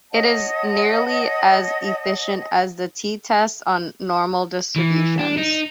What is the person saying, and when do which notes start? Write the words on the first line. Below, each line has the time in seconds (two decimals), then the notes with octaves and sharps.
It is nearly as efficient as the "t"-test on normal distributions.
0.12 C#5 D#5 F#5 A5
4.76 E3
5.19 D4
5.37 D#4